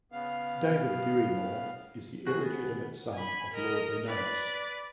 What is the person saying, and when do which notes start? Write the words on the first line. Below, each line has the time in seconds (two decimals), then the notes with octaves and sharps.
David Dirry-Moir is the illegitimate son of Lord Linnaeus.
0.12 C#3 B3 F5
2.27 B2 D#3 C4 F#4 G#4
2.43 B3
3.13 G#5 B5
3.53 A#4 D#5
4.06 B4 D5